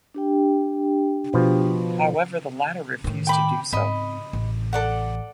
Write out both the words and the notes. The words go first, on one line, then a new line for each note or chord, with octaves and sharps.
However, the latter refused to do so.
D4 G4 G5
B2 F3
A2 D#3
G5 B5 D6
G#2 C4 D#5 B5
A1
A4 D5 F#5